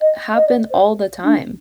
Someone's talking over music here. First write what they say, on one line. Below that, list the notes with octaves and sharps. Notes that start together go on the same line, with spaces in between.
happen all the time.
D#5
D#5
D5
C5
D4